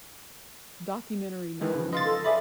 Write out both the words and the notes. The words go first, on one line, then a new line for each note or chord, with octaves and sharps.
Documentary Now.
D#3 E3 G#3 B4
C#3 F3
D#5 F5 C6 A6
A4
G#4 D5 E5 B5